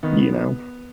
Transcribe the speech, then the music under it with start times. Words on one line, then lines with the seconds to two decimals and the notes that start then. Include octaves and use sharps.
you know.
0.03 D#3 B3